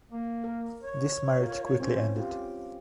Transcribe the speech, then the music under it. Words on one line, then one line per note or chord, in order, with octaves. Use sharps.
This marriage quickly ended.
A#3
A#4
C#5
F4 A#4
C4 C#4 C5
F4 G4